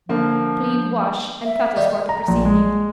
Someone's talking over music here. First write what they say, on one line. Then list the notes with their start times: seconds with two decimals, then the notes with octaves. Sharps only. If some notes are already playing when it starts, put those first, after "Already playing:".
Clean, wash and cut as for the preceding.
0.09 D3 F3 A#3 D4
1.44 E5
1.76 D#3 G3
2.09 A#5
2.28 A#1
2.45 G#3